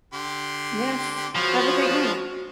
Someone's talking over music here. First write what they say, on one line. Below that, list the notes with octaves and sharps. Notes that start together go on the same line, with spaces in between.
Yes. Have a great night.
D3 G4 C6
F3 G#3 B3 F#4 C#5